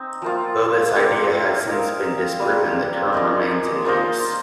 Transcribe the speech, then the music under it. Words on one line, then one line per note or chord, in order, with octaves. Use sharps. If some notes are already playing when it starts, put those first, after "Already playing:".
Though this idea has since been disproven, the term remains in use.
Already playing: C4 D#4
F3 A#3 F4
C4 F4 A#4 D5
D#4 A#4 F5
G3 A#3 F4
G#3 D#4 G#4 D5
A#3 F4 C5 D#5